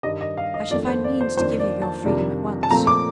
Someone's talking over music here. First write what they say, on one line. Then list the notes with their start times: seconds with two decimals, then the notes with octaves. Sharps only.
"I shall find means to give you your freedom at once."
0.03 G2 D#3 G3 D4 D#5
0.21 D#5
0.37 F5
0.54 D#5
0.70 F2 D#3 A3 D4 D5
0.88 C5
1.04 D5
1.21 C5
1.37 F2 D#3 A#3 D4 C5
1.59 D5
1.82 A5
2.03 F2 C3 D#3 G3 D4
2.63 A5
2.71 A#2 F3 A3 C4 A#5
2.87 D6